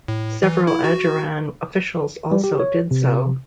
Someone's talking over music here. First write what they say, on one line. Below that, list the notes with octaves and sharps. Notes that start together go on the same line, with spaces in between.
Several Adjaran officials also did so.
A2
E3
E4
F#4
G3
G4
C#5
C3